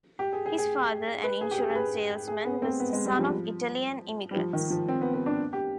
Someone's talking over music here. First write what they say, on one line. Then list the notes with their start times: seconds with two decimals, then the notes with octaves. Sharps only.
His father, an insurance salesman, was the son of Italian immigrants.
0.19 G4
0.33 G#4
0.46 G#4
0.58 G#4
1.24 B4
1.41 G#4
1.51 G4
1.58 G#4
1.70 G#4
1.75 B4
2.28 G#4
2.45 B3
2.62 C4
2.80 B3
2.93 G#3
3.05 G3
3.19 F3
4.31 G3
4.36 F3
4.53 D#3
4.71 F3
4.88 C4
5.01 B3
5.14 B3
5.26 D4
5.53 G4